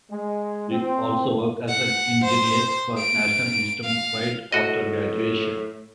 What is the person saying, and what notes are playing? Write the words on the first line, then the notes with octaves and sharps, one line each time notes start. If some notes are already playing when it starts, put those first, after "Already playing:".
He also worked as an engineer for National Instruments right after graduation.
G#3
C4
F#5
C5
D7
F5
A2 F#4 D#5